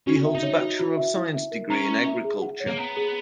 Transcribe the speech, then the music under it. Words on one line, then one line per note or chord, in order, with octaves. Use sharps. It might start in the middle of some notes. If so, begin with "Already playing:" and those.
He holds a Bachelor of Science degree in Agriculture.
C#4 F#4
E5
D#4
C#5
F#4
F#4
E5
E4
E5
A#4
C#4 A#5
E4
E5
G#4
F#5
C#5
A#3
B3 A#5
G#4